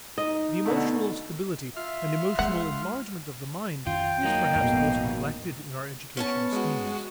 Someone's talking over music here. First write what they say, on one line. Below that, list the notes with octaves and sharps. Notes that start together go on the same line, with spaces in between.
The emotional stability and emotional enlargement of the mind is perhaps most neglected in our educational schemes.
D#4 D#5
B2 D3 A3
F4 E5 C6 F6
G#3 F#5
F2 D#3 C#4 F4 G5
F#3 A#3 D#4
A1 F2 B2 G#3
B3 C#4 C#5 A5
G#3 F#4